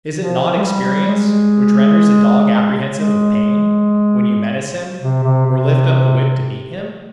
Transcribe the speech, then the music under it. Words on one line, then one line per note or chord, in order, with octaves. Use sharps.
Is it not experience, which renders a dog apprehensive of pain, when you menace him, or lift up the whip to beat him?
F3
G#3
G3
G#3
G#3
C3
C3
C3